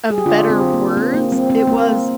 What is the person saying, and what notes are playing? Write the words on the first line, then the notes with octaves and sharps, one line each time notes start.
of better words, it was
G#4
G4
D3 D4 F4
C4
D3
A#3
A#3 C4
A#3
G3 C4
C4
A#3